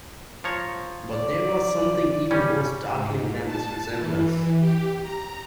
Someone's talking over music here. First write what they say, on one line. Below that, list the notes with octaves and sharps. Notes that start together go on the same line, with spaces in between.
But there was something even more startling than this resemblance.
F3 C#5 A#5
D5
G3 C#4
G#2
A5
E3
G4
A#5